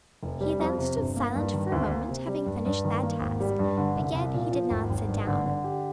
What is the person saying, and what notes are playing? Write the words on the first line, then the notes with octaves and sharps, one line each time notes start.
He then stood silent for a moment, having finished that task; but yet he did not sit down.
F1
G3
F2
C3
G1
A#3
G2
D#3
D2
A#3
C3
G3
G2
G2
D#3
A#3
G#1
G3
G2
D3
C2
C2
A#2
F3
G#1
G#1
G2
D3
D3
G4